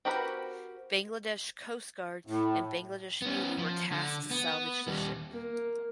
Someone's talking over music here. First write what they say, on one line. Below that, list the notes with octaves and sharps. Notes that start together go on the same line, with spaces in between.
Bangladesh Coast Guard and Bangladesh Navy were tasked to salvage the ship.
C4 F#4 G4 A#4 B4
A2
B3 C#4
F3
D3
B3
D#2 G3
A#3